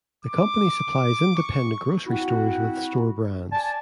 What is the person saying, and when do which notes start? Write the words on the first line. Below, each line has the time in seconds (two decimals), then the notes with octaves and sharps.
The company supplies independent grocery stores with store brands.
0.25 D6
1.37 C#6
2.06 C4 E4 F#4
3.51 D5 G#5 A5